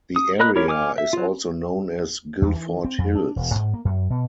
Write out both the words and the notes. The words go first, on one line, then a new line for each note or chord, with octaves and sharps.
The area is also known as Guilford Hills.
D#6
A#4 D#5 B5 F#6
E4 G4 A#4 C#5
G#5 D6 D#6 F6
E5
F#3 F4
E2
E3
C4
F2
D4
E1
G#2
A#3
F#2
B2